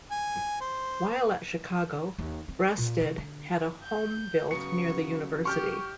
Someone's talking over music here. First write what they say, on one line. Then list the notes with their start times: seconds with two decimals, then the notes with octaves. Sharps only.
While at Chicago, Breasted had a home built near the university.
0.11 G#5
0.60 C5
2.18 D#2
2.48 C4
2.78 A#2
3.01 C#3
3.18 D3
3.84 G6
4.51 C#3 F#3 B3 C#6 C#7
5.45 G4 C#6 F6 G6